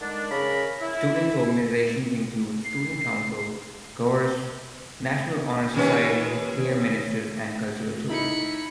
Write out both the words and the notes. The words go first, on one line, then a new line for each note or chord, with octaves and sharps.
Students organizations include Student Council, Chorus, National Honor Society, Peer Ministers, and Cultural Tours.
D3 D#3 G#3 D4
C#3 A#4 B5
E4
C7
D#2 C#4 B4
D#4 E4 B5 C#7